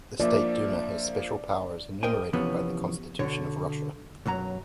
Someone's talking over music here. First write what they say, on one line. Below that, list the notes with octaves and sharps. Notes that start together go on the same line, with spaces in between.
The State Duma has special powers enumerated by the Constitution of Russia.
F3 A#3 D5 E5
A#4 C5 D#5 G5 G#5
C3 E3 F3 B3 C#4
B2 D3 C#5
B1 F#2 F#3 A#5